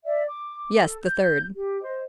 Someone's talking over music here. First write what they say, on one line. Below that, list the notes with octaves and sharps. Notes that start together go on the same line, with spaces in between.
"Yes, the third."
D5 E5
D6
A4
G6
G4
C5 D#5